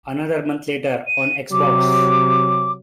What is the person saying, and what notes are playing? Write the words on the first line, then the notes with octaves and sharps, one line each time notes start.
Another month later: on Xbox.
D#7
C3 F#3 D6